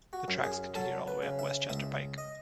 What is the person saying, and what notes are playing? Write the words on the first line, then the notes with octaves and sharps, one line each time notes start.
The tracks continued all the way up West Chester Pike.
F#4
F#2
G#4
F#3 A4
B4
C#3
E5
C#2 E5
D#5